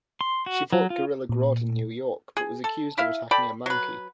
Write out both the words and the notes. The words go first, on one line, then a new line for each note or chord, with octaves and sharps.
She fought Gorilla Grodd in New York, but was accused of attacking a "monkey".
C6
F#4
F#3
F4
A#2
G#4
A4
E4 E5 F5
A4 D5 G5 B5
F#3 B4